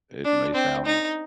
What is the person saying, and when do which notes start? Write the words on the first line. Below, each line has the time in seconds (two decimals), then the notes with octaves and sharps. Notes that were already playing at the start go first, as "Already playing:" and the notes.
that may sound,
0.24 D4
0.54 C4
0.86 D#4